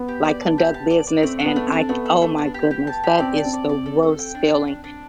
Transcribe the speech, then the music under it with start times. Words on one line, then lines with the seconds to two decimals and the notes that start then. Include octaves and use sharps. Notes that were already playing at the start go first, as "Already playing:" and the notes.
like, conduct business and I oh my goodness, that is the worst feeling.
Already playing: B3
0.08 G4
0.25 D5
0.41 A5
0.58 G4
0.74 A5
0.91 D5
1.07 D5
1.23 A3 C4
1.40 D4
1.46 B3
1.56 A3
1.67 C4
1.72 D4
1.89 A3 B3
2.06 A4
2.22 A3
2.38 D4
2.54 G4
2.71 G4
2.87 A5
3.04 G4
3.20 C4 D5
3.33 D4 A5
3.45 C4
3.54 D5
3.69 D5
3.86 A4
4.03 A4
4.19 G5
4.35 D4
4.51 D4
4.68 D4
4.84 D4